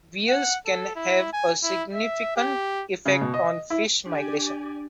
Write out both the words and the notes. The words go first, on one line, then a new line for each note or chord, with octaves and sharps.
Weirs can have a significant effect on fish migration.
F#5
A4
E4
G#5
E4
E5
G4
C#3
B2
D#5
E4
D4 G4 D5 G#5